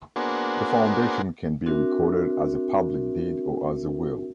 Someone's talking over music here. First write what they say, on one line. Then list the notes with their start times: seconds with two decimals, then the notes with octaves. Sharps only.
The foundation can be recorded as a public deed or as a will.
0.16 A#3 B3 D4 F#4 G#4 C5
1.66 C4 D4 F#4 A#4 E5